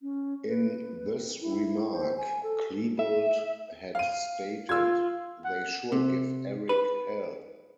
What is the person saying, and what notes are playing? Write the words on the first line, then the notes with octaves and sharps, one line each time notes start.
In this remark, Klebold had stated, They sure give Eric hell.
C#4
B4
E4
C5
G#5
A4
E5
F5 D#7
F4 E6 G#6
F#5
C3
B4